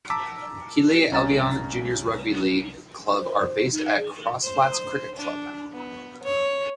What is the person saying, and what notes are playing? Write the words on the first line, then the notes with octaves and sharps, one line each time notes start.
Keighley Albion Juniors Rugby League club are based at Crossflatts Cricket Club.
A5 A#5 D6 E6 B6
C2 C#4 A#5 A6 E7
C5
D#4
G#4
C5
D4
B3
C#5